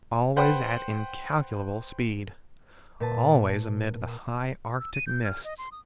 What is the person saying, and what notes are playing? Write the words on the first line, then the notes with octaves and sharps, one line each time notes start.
Always at incalculable speed! Always amid the High Arctic mists!
B4 C5 F#5 G5 B5
A#2 B4 A5
E6
D#7
G6
F6
D#5
C6
D#6